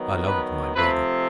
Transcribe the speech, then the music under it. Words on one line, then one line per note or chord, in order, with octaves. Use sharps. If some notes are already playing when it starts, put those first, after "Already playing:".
I loved my brother.
Already playing: D#3 F#3 B3
B4
C3 F3 A3 C4 B4